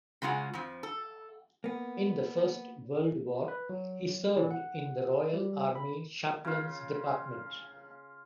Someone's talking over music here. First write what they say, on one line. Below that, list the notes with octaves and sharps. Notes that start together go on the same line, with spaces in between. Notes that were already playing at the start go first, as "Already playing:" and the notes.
In the First World War he served in the Royal Army Chaplains Department.
C#3 G#3 C#4 F4 F#4
F2 F3
A4
A#3 B3
B4
F#3
E3
F#5
G3
B5
C#3 F4